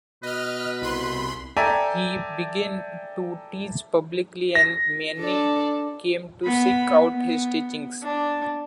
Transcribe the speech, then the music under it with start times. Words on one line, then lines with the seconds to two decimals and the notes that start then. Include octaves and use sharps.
He began to teach publicly, and many came to seek out his teachings.
0.23 B2 B4 D#5 F6
0.81 C2 B5 C6
1.57 A4 D5 E5 G5 G#5 A#5
4.55 A#6
5.18 D4 A4 D5
6.45 B3 B5
7.12 B3
8.03 D4